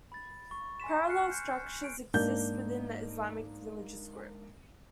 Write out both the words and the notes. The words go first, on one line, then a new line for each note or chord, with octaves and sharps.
Parallel structures exist within the Islamic religious group.
B5 A6
C#6
G#5 C6 B6 E7
F6 F#6 C7 C#7
G6 C#7
D7
G#2 A#3 D4 G6